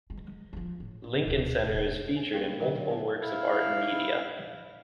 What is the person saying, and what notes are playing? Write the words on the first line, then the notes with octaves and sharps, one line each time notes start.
Lincoln Center is featured in multiple works of art and media.
G#3
F3 F#3
A2
D1 B1
E2 C#3
G#5
A#3 D#4 G4 A#4 F5 G5
D4
D3 F#3 D4 A#4 F5 G5
C#5
B3 A5
E4 F5